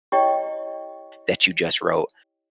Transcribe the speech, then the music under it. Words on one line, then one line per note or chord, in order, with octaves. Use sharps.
that you just wrote.
E4 G4 C#5 D#5 G5 C#6